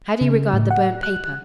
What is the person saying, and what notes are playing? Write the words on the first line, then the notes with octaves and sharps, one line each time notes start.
How do you regard the burnt paper?
C#3
A2
F#5
F#6